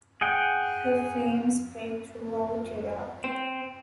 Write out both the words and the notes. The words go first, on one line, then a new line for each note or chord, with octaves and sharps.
Her fame spread throughout Europe.
G#4 F#5 G5
C4